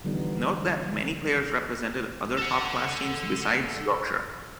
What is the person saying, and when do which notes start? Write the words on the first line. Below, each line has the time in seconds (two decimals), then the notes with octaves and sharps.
Note that many players represented other top-class teams besides Yorkshire.
0.04 D3 E3 F3 G3 B3 D#4
2.38 A4 F#5